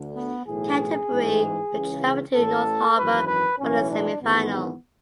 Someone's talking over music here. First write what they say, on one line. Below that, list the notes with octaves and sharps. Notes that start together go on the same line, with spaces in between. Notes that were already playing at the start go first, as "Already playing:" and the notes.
Canterbury would travel to North Harbour for the semi-final.
Already playing: D2 D3
B3
B1 A2 E3 G#4
A1 G#2 E3
C#2 C#3 E3
A1 A2 E3 A4
G#1 F#2 E3 B4
B4
B1 A2 E3 C#4
D4
G#1 G#2 E3 B3